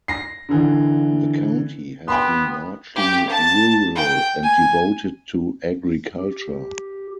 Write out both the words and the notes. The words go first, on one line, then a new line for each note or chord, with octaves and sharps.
The county has been largely rural and devoted to agriculture.
A#6 C7
D3 E3
B3 G5 C6
G4
A5
G5
G#5
G4